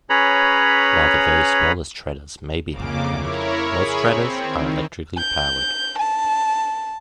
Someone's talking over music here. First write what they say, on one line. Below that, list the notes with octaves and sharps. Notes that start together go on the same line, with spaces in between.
While the very smallest shredders may be hand-cranked, most shredders are electrically powered.
C#4 G#4 B4 C#5 A#5 B5
F2 C#3 A#3 D6
E4 A#4 C#5
G#4 C#5 B5 C#6
C4
D#3
G6
A5